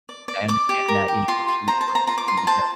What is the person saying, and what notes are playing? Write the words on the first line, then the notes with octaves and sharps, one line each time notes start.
I understand that, you know, most people aren't really, you know,
D5
D5
D5 D6
G4
A#4
G4
F4 C6
F4
C5 A#5
A5
C5
A#5
F4 A#5
D6
F4 C6
A#5
C5 A5